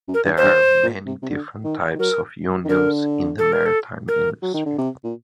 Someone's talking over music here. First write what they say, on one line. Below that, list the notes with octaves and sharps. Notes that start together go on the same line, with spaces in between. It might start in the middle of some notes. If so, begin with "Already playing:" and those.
There are many different types of unions in the maritime industry.
F#2
A#4
G2
C5
G2
A#2
C3
C3
D3
D#3
D#3
F#3 A#4
D#3
D3 A#4
A4
A#4
A4
A#4
F#3
D#3
D3
C3
A#2